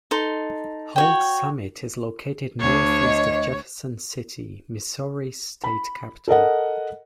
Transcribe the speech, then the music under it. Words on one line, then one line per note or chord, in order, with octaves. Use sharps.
Holts Summit is located northeast of Jefferson City, Missouri's state capital.
D#4 A4 C6
F#4 C#5 G5
D2 D3 C#5
D#5
B5
A4 A#4 D#5 F#5